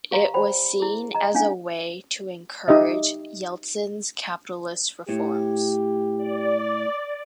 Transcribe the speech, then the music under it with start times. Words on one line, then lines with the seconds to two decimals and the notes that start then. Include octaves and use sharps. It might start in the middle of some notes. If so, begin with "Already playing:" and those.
It was seen as a way to encourage Yeltsin's capitalist reforms.
0.11 G4 F5 A#5 C6
0.34 C5 D5 G5 B5
0.80 E4 G#4
1.15 D#5 A#5
1.34 C#4 D4 E4 F5 G#5
2.68 D#4 G4 D#5 E5
5.09 A2 G4
6.17 D5